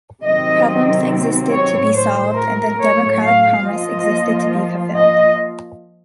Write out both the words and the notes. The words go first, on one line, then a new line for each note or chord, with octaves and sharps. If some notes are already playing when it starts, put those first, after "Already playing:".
Problems existed to be solved, and the democratic promise existed to be fulfilled.
C3 D#3 F#3 C4 D#5
C#5
A2 F#3 A3 C5
A#4
C#5
F5
F3 A#3 F4 D#5
D#5